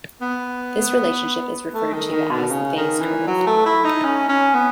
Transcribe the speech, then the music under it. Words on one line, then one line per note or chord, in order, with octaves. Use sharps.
This relationship is referred to as the phase curve.
B3
A3
D#3
D#3
B2
C#3
D#3
E3
F#3
A3
E4
D#4
C#4
C#4
B3